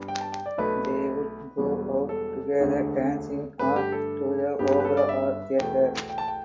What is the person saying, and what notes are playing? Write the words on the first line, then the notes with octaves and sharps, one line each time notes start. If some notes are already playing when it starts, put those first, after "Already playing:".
They would go out together dancing or to the opera or theatre.
Already playing: G2 G3 B3
G5
A5
G5
D5
B1 B2 A3 B4
E1 E2 B2 G3
A4
E1 D2 D3 A3
G2 D3 A3 B4
G4
A4
G1 G2 G3 B3 G4
G4
B4
A4
D5
E5
E2 B2 A3 G5
G5
A5
G5